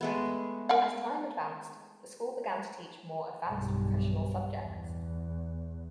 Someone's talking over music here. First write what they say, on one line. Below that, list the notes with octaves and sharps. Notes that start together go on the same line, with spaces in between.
As time advanced, the school began to teach more advanced professional subjects.
G#3 A3 B3
A#4 F5 F#5
B1 G2
E2